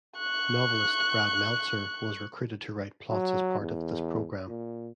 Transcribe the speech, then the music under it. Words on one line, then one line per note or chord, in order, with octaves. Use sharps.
Novelist Brad Meltzer was recruited to write plots as part of this program.
C#6 F#6
F#3
E2
A#2